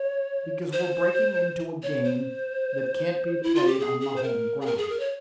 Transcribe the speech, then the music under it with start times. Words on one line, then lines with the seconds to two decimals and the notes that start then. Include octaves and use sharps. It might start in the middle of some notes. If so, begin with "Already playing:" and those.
Because we're breaking into a game that can't be played on the home grounds.
Already playing: C#5
0.73 C5
1.83 C#5
2.04 C5
3.43 E4
3.55 F4
3.67 G4
3.79 G#4
4.01 G#4
4.16 C5
4.24 A#4
4.61 G#4
4.66 A#4
4.77 G#4
4.89 A#4
4.99 C#5